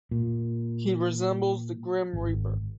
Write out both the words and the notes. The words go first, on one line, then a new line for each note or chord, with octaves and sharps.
He resembles the Grim Reaper.
A#2
G#1